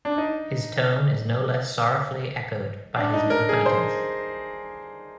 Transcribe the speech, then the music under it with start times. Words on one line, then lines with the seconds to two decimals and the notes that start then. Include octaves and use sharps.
His tone is no less sorrowfully echoed by his new acquaintance.
0.05 D4
0.18 D#4
2.97 D4
3.14 D#4
3.30 A#4
3.49 G#4
3.66 C5